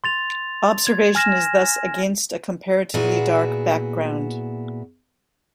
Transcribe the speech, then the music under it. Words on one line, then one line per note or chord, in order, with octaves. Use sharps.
Observation is thus against a comparatively dark background.
C6 A6 F7
G#6
G#5 F6 A#6 E7
A#2 B3 E4 F#4 G#4